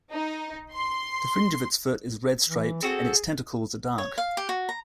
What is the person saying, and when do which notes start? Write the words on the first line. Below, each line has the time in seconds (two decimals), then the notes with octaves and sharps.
The fringe of its foot is red-striped and its tentacles are dark.
0.13 D#4
0.75 C6
2.49 E3
2.82 C4 F#4 G#4 A4
3.98 C#5
4.18 F5
4.37 G4
4.49 F#4
4.69 A#5